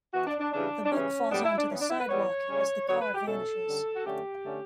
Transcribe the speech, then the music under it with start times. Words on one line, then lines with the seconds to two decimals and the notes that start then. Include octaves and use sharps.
The book falls onto the sidewalk as the car vanishes.
0.14 E3 B3 F#4
0.27 D4
0.40 D4
0.53 C#3 E3 G3 D4
0.85 D4
0.92 C#3 E3 G3 C#4
1.31 A2 G3 B3 D4
1.44 E4
1.58 D4
1.70 E3 B3 C#4
1.80 D4
1.90 E4
2.00 B4
2.09 E3 G3 B3 C#5
2.49 C#3 G3 C#4
2.88 D3 F#3 B3 C#5
3.01 B4
3.14 G4
3.27 B2 A3 C#4 A4
3.66 D3 G3 C#4
3.96 F#4
4.06 D3 A3 C#4 G4
4.45 D3 A3 C#4